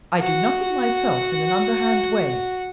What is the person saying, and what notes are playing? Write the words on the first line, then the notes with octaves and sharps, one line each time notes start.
I do nothing myself in an underhand way.
F#4 F#5